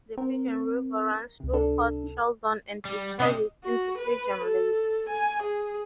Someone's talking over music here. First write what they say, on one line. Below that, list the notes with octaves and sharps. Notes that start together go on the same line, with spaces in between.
The Pigeon River runs through Port Sheldon and discharges into Pigeon Lake.
C4 A#4
C#2 C3
D4 A4
G3
C3 D4 D#5
F#4
B4
A4
G#5
G#4